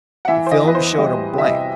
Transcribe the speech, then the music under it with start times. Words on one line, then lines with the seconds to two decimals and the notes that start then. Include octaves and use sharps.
The film showed a blank.
0.25 F#5
0.28 E3 E5
0.47 C5
0.51 D#5
0.63 E2 B4
0.75 C5
0.98 G3 D#5
1.33 C3
1.38 E5
1.45 D#5